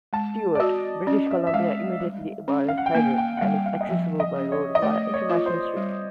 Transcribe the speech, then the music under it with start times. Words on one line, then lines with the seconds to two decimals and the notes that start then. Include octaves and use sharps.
Stewart, British Columbia immediately borders Hyder and is accessible by road via International Street.
0.13 G#3 A5
0.55 D5
0.60 F#4 D#5
1.07 C#4 D5
1.31 E5
1.47 E5
1.54 G#3 F5
2.01 G3
2.48 C#4
2.68 F5
2.78 F#5
2.86 G5
2.95 A#3 G#5
3.18 G5
3.37 F#5
3.41 G3 F5
3.66 F5
3.81 D#5
3.89 F3 E5
4.20 D#5
4.36 C#4
4.52 C#5
4.75 D#5
4.82 A3 D5
5.14 C#5
5.30 F4
5.46 C5
5.77 G3